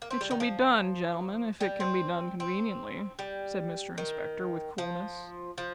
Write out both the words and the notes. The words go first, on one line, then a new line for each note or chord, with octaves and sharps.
'It shall be done, gentlemen, if it can be done conveniently,' said Mr Inspector, with coolness.
A#3
C4
G3
D#3
F3
G3
C4
C4
G3
D#3
F3
F3